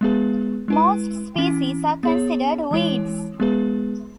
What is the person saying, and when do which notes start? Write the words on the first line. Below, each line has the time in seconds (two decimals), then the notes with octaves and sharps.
Most species are considered weeds.
0.01 G#3 B3 G#4 B4
0.68 G#3 E4 B4
1.36 E3 C#4 E4
2.03 B3 G#4 C#5
2.71 E3 G#3 E4 C#5
3.40 G#3 B3 G#4 B4